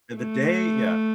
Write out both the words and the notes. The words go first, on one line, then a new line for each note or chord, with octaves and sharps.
and the day yeah.
A3